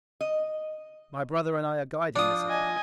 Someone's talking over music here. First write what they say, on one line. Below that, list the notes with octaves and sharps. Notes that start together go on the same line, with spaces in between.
My brother and I are guiding this affair.
D#5
F3 D4 F4 D#6
D#5 G#5